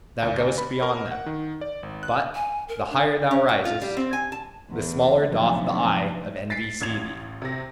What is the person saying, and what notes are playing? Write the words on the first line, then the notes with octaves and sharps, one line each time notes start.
Thou goest beyond them: but the higher thou risest, the smaller doth the eye of envy see thee.
D2
B5
A#4
F#5
D#3
D5
G#1
F#6
G#5
A#4
D4
C#4
F#4
F4
G3
C4
G#5
A5
E2
D#2 C3 F3 F#3 A3 D4
A6 B6 C7 D7
A1 G#6 F7
C3 A#6